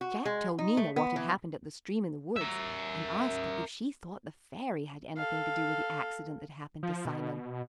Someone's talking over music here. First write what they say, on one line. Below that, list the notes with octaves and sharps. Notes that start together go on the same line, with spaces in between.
Jack told Nina what had happened at the stream in the woods and asked her if she thought the Fairy had anything to do with the accident that happened to Simon.
F#4
G#3
D#4
A3
B3
E3
A#4 E5
A4 F5
F3
B2